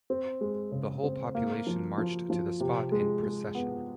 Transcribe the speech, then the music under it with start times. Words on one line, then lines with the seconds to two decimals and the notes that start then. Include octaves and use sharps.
The whole population marched to the spot in procession.
0.10 C4
0.41 G#3
0.72 C#3
1.03 C4
1.35 A#3
1.67 F3
1.98 F3
2.30 F3
2.60 C3
2.92 G#3
3.23 G#3
3.55 B3